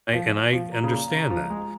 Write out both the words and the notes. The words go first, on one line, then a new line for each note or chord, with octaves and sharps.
I and I understand that.
F3
F3
A#5
C#3
A#2
C#3
F3
G#3